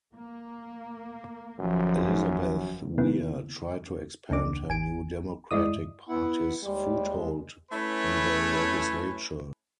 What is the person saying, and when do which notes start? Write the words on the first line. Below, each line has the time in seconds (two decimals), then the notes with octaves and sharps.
Elizabeth Weir tried to expand her New Democratic Party's foothold in the legislature.
0.14 A#3
1.60 G1 F#2 F3
2.98 C3 D#3 A#3 B3 E4
4.30 C#2 C#3 A#3 D4 D6
4.69 G#1 G#5 D7
5.51 G2 G#3 E4 D5 D#5 D#6
6.09 B3 E4 F#5
6.63 D#2 G3 G#3
7.72 A3 C#4 E4 B4 C#5